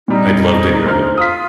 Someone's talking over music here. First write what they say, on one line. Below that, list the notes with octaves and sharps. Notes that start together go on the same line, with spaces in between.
I'd love to hear it.
A#2 G3 D#4
D2 C5 F6
F4 D#6 B6